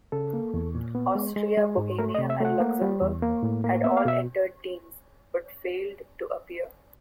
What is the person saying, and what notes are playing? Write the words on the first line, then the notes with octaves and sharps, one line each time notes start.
Austria, Bohemia, and Luxembourg had all entered teams, but failed to appear.
C#3 A4
A#3
E2
A#2
B3
G#3
G#3
G#3
G#2
A3 A#4
D#5
C3
E5
A3 F#5
A#3
G3
E2
A#3
A2
A#3
B3 E5
F5
B2 E5